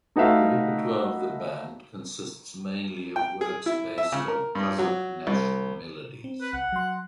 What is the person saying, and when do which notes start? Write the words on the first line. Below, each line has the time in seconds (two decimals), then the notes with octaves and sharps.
The repertoire of the band consists mainly of works based on Kazakh national melodies.
0.16 A3 D#4 F#4 B4 E5 F5
3.16 G5
3.41 G#4
3.66 E4
3.98 E5
4.12 C#3
4.28 A#4
4.55 G2
4.78 F#3
5.27 C2
6.24 C4
6.41 B4
6.53 C2 F#5
6.72 F#3 C6